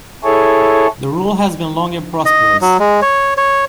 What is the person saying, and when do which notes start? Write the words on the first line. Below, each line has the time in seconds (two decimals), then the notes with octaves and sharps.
The rule has been long and prosperous.
0.24 E4 G#4 A4 C#5
2.26 D#5
2.61 F#3
2.79 G#3
3.02 C#5
3.37 C#5